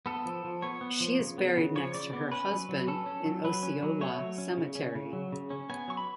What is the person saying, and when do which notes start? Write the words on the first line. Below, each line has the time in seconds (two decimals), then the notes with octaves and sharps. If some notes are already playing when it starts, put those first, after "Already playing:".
She is buried next to her husband in Osceola Cemetery.
0.06 B3 A4
0.26 F3
0.44 F3
0.62 B3 C#5
0.81 B3
1.00 F3
1.19 C#3
1.38 B3
1.57 C#3
1.75 F3 C#5
1.94 C#3 D5
2.13 B3
2.32 C#4 B4
2.50 F#3
2.69 F#3
2.87 C#4 A4
3.06 C#4
3.25 F#3
3.44 F#3 B4
3.63 C#4
3.83 F#3
4.01 A3 C#5
4.19 F#3
4.38 C#4
4.58 C#3
4.75 C#4
4.95 C#3
5.13 F#3
5.32 C#3
5.50 C#4
5.70 B3 G#5
5.88 F#3 C#6
5.97 B5